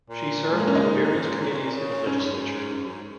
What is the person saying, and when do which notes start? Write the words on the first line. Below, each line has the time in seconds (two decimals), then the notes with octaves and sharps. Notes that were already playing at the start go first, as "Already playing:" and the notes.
She served on various committees in the legislature.
0.10 A#2
0.52 G#3
0.60 A#3
0.67 C#4
0.75 G#2 D#4
1.02 A#2
1.08 G#2
1.41 A#2
1.50 C#3
1.58 A#2
1.73 C#3
2.07 G#2 C#4
2.19 F#2
2.32 G#2
2.72 F#2
2.86 G#2